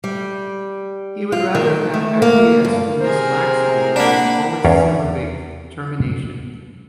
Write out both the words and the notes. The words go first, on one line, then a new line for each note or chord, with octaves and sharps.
He would rather have acquiesced in this laxity of the polysyllabic termination.
G3
F4
D#3
A3
A#3
G2
C3 G#4 A#4 C5
A#3 D4 F#5 B5
E2 C#4 D5 F5